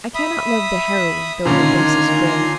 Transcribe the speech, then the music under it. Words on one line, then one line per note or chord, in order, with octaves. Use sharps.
I cannot love the heroine, though her face is fair.
E5 B5 D#6
A#2 D3 D#3 C#4 G#5 A#5 C6